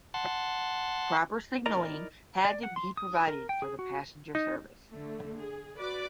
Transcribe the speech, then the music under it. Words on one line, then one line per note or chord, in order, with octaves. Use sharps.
Proper signalling had to be provided for the passenger service.
F#5 A5 C6
D#4 E4 A#4 D5 D#5 A#5
D5
F#5
C6
D#6
A#4
G5
G#4
F#4
D#4
D3 A3
G#4
F#4 B4 D5 D6